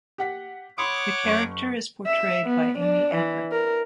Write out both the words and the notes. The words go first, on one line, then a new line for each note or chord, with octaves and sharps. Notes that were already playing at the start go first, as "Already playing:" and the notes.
The character is portrayed by Amy Acker.
G4 F#5 B6
C#5 F#5 B5 C6 D6 D#6
F#1 C#6
E5
B3
D4
E3
A#4